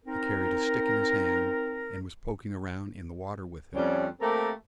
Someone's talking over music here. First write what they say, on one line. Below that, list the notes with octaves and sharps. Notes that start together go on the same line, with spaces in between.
He carried a stick in his hand, and was poking around in the water with it.
C4 D#4 A#4
F2 G3 C#4
A3 A#3 C4 G4 A4 A#4